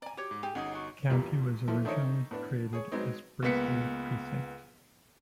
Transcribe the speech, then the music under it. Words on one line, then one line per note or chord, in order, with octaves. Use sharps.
The county was originally created as Berkeley Precinct.
D5 G#5 A#5
F#4 G4 C#5 D6
G#2
G4 G#4 G#5
G1 C#4 D#4 F#4 G#4 F#5 D#6
F#4 C#6
E2 G2 A#2 G3
E3 F3 A3
D#3 A3 D4 D#4 C5 C#5
A2 B3 D4
G#4 C#5
F#3 G#3 B3 C4 D#4
C#2 A#3 B3 B4 B6 C#7